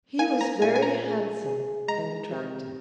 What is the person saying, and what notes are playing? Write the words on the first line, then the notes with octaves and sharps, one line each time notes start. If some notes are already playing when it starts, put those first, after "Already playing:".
He was very handsome and attractive.
A#3 G#5
A#5
A#2 G#5
G#5
A#5
G#4
G#4
G#3 A#5
C3